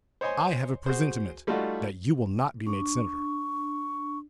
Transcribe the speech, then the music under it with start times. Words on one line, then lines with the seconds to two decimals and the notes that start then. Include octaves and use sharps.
I have a presentiment that you will not be made senator.
0.21 C5 C#5 D#5 G#5 C6
0.86 F#4 G#4 C5
1.47 G3 A3 D#4 F4 F#4
2.67 D4 C#6